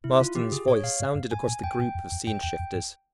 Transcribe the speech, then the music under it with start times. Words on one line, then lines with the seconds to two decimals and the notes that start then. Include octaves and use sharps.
Marsden's voice sounded across the group of scene-shifters...
0.04 C3 E4
0.20 C#3 F4
0.35 E3 G4
0.52 C#3 G#4
0.67 A#2 C#5
0.84 A#2 F5
1.00 G#2
1.15 G2
1.31 G#2 G#5
1.48 A#2 G#5
1.63 F2 G5
1.79 A#2 G5
1.95 F2
2.12 F2
2.27 G2 G5
2.43 E2 G5
2.59 F2
2.75 G2